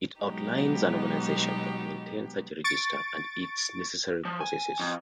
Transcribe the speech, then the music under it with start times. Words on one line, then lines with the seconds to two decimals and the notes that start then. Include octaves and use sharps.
It outlines an organisation that maintains such a register and its necessary processes.
0.21 B2 F#3 G#3 B3 D#4 G4
2.64 C#6 A6 D7
4.25 F3
4.40 G#5
4.80 F2